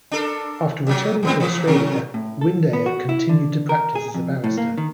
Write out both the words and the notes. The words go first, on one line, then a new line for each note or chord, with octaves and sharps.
After returning to Australia, Windeyer continued to practise as a barrister.
D4 A4 A#4
A#2 F#3
A2 B3 C4
A#2 E3
C3 F#3 A#4
A2
A4
B3
F#4
E4
D3
A#4
G#4
F2
A2
A#3
D#3